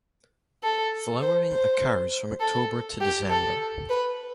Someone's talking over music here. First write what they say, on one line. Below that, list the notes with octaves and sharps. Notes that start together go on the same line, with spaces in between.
Flowering occurs from October to December.
A4
C5
C5
A4
G4
A4
B4